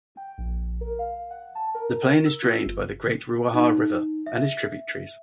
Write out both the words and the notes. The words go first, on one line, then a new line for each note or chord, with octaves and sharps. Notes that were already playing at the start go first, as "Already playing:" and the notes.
The plain is drained by the Great Ruaha River and its tributaries.
G5
A#1
A#4
F5
F#5
A5
A#4
E6
F4
G1
D#4
E5